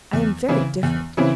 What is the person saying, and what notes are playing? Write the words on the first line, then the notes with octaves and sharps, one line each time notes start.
I am very different!
E2
C#3 E3 C4 E4
E2
C#3 E3 C4 E4